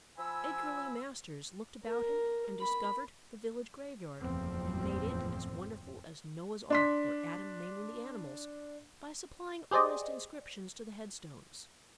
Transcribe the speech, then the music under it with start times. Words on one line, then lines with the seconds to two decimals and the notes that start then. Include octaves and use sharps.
Edgar Lee Masters looked about him and discovered the village graveyard, and made it as wonderful as Noah's Ark, or Adam naming the animals, by supplying honest inscriptions to the headstones.
0.18 F3 G#5 B5 E6
1.84 A#4
2.60 B5
4.23 F#1 E2 A2 F3 C4
6.70 D4 C6 B6
9.71 G4 G#4 C5 D5 D#5